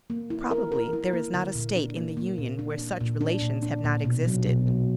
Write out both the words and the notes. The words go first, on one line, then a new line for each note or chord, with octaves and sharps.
Probably there is not a state in the Union where such relations have not existed.
A#3
E4
A#4
A#4
E4
A#3
D3
A#2
D4
A#3
A#3
A#2
D4
D4
A#2
D4
A#2
D4
A#2
B2
F#3
B2
F#3